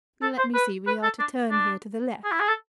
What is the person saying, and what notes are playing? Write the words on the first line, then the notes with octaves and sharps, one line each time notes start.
Let me see;--we are to turn here to the left.
A4
C5
B4
B4
A4
D4
D4
G#4
E4
G#4
A4